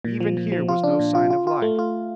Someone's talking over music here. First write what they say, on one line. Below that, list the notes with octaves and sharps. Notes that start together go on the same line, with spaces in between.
Even here was no sign of life.
A#2
F3
A#2
F3
F4
D4
A#2
F4
F4
F4
A3
F4